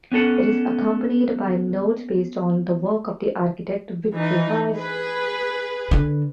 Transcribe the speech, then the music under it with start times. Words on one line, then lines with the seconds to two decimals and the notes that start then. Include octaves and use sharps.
It is accompanied by notes based on the work of the architect Vitruvius.
0.12 B3 C#4 A4 F#5
4.15 E3 D#4
4.75 G#4 B4
5.91 D3